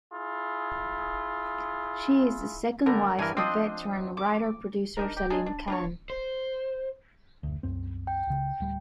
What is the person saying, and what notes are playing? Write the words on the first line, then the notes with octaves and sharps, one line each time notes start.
She is the second wife of veteran writer-producer Salim Khan.
E4 F4 G#4
D3 G3 A#4
G2 E3 A#4 G#5
F3 C4 D4 C5 D#5
D6
D4 D#4 A#4
G4
D4 D#4 F4 G#4
D4
D4 F4 C#5
C5
F#1 D2
C2 F#2 C4
G5
C#2 C#3
D1 G3